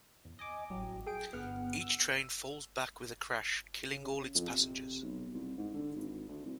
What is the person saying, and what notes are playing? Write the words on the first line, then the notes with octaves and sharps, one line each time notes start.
Each train falls back with a crash, killing all its passengers.
E2
D#5 G#5 D6
A1 F#3 G4
G#4 G5 D7
G1 B3 F#5 F6
E6
C#3
F2
C3
B1
C2
G#2
D3
G#1
D2
C2